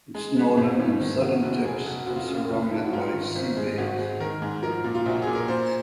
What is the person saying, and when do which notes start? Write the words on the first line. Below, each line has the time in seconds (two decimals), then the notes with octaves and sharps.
Its northern and southern tips are surrounded by sea bays.
0.15 G#3
0.36 G#3
0.57 G#1
0.79 G#1
1.00 D#3
1.21 C#3 F#4
1.43 F1 F#4
1.64 F1 G#4
1.85 F1 F#4
2.06 F1 F#4
2.16 F4
2.28 C#3
2.34 F4
2.50 F1
2.71 F2
2.84 F#4
2.93 G#2 F4
3.14 D#3
3.35 G#1
3.57 G#3
3.78 G#1 F#4
3.99 G#3
4.20 D#3 A#4
4.42 G#2
4.63 F3 A#4
4.84 A#2
4.95 F4
5.06 A#1 F#4
5.22 G#4
5.27 A#2
5.35 A#4
5.48 A#2 C5